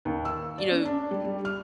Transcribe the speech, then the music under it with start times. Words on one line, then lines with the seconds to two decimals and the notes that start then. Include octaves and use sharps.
you know,
0.05 D#2
0.25 E6
0.58 D5
0.71 C#4
0.85 D4
1.11 G3
1.24 G3
1.45 F6